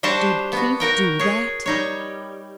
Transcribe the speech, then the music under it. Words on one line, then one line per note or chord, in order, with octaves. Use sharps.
"Did Keith--do that?"
G3 D4 F#4 G4 C5 A5
B3 F#4
F#4 A#4 G5
G#4 C#5
G3 D#4 C#5